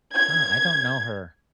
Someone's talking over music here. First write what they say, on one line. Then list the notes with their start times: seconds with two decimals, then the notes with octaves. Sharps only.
Uh, I don't know her.
0.16 G#6